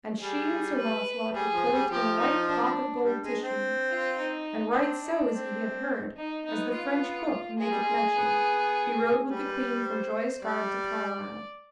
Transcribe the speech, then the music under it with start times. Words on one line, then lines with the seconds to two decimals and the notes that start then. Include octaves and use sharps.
And she and Sir Launcelot were clothed in white cloth of gold tissue; and right so as ye have heard, as the French book maketh mention, he rode with the queen from Joyous Gard to Carlisle.
0.20 G3 G#4
0.77 B4
1.34 G3 G#4
1.53 F3
1.72 G3
1.91 F3 G4
2.19 D#4
2.48 D4
3.04 G3
3.24 G#3
3.42 C4
3.90 F4
4.18 D#4
4.75 C4 D4
5.03 D#4
5.32 C4
6.17 D#4
6.45 B3 D#4
6.73 F4
7.59 G#3 G#4
7.70 G3
7.82 G#3
8.16 B3
9.29 G3 B4
9.85 C5
10.43 G3 D5